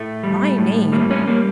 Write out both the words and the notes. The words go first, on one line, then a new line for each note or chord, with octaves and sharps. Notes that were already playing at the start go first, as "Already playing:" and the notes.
My name!
Already playing: A2 A3
G3
A2
G3 A#3
C#4
G3 A#3